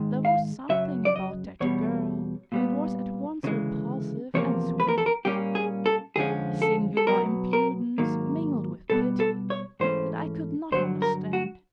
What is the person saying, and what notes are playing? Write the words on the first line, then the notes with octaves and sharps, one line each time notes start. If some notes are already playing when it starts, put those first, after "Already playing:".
There was something about that girl that was at once repulsive and sweet, a singular impudence mingled with pity, that I could not understand.
Already playing: G#2 D#3 G#3
F5
F#2 C#3 F#3 E5
D5
D#5
E2 B2 G3 C#5
A#2 G3 B3
D2 C#3 E3 G#3
E2 C3 F3 A#3 C#5
B4
A#4
A4
A#4
A#2 G3 A#3 C#4 G4
G#4
A4
F2 D3 F3 G#3 C#4 G#4
A4
A4
B2 F#3 B3 A#4
A#4
G#2 D#3 F#3 A#3
B2 G3 B3 A4
A4
C#5
G#2 E3 A3 C#4 C5
G2 D3 F#3 C5
A#4
F#4